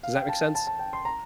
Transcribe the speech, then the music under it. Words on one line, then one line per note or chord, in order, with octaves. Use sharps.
Does that make sense?
F5
G5
A5
A5
A5
G5
C6
A#5